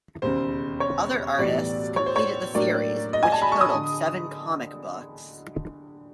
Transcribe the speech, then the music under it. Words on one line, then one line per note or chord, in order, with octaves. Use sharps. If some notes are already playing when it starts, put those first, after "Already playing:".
Other artists completed the series, which totaled seven comic books.
E1 D#2 C#3 C5
C#5
B1 A2 E3 G3 B3 D5
C#5
C5
C#5
A2 F#3 A#3 D4 D5
D#5
G#5
A5
B5
C#6
D#6
D3